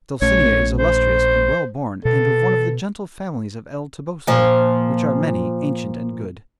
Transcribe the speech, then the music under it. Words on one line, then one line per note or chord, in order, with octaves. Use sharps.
Dulcinea is illustrious and well-born, and of one of the gentle families of El Toboso, which are many, ancient, and good.
A#1 A3 C#4 C#5
C5
B2 A4
A#2 F3